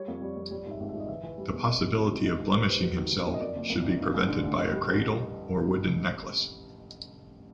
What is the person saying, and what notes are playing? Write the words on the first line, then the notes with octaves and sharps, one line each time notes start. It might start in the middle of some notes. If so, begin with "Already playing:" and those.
The possibility of blemishing himself should be prevented by a cradle or wooden necklace.
Already playing: G3 C#5
F2
G3 D5
F2
G3 D5
G#2 E5
G#1
G#2 E5
D#5
E3 E5
E3
G3
E2
C3 D#5
F#3
C3
D#3
G3 D#5
G#2
B4
G#2 C5
G3 B4
F#3
D#3
D#3
F#2
D#5
F2 D5
F#1
F2
D#3
G2
A1
D3
A1
F1 D#5
G3